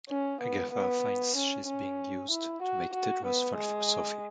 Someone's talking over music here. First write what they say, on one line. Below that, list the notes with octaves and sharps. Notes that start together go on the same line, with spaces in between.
Agatha finds she is being used to make Tedros fall for Sophie.
C#4
B3
B3
C#4
C#4
E4
F#4
F#4
B3
G#3